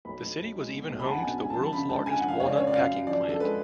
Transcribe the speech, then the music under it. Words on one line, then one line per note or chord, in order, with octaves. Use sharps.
The city was even home to the world's largest walnut packing plant.
B1 B5
B1
B1
G#3
B2
B1
B5
B1 A5
F#5
G#5
B2
C#2 G#5
A5
F3
A5
C#3 B5
C#2 A5
C#3 G#5
F#5
F3
F5
C#2 C#5
D5
C#3 C#5
D5
F#2 F5
F#2
F3 D5
F3
A4
G#3 B4